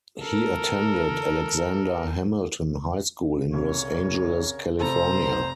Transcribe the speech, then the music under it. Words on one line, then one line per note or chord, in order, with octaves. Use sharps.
He attended Alexander Hamilton High School in Los Angeles, California.
A4 A#4
C2 C#3 A#4 C#5
F1 A4 C5 A#5